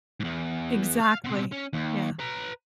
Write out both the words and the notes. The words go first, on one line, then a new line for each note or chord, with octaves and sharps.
Exactly. Yeah.
E2 G#2
F5
B2 C4
C#4
D#2
B4 A#5